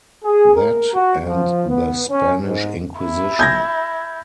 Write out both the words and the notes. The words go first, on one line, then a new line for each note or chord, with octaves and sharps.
That and the Spanish Inquisition.
G#4
A#4
F#4
F3
B3
C#4
G#2
E4
G6 G#6 A#6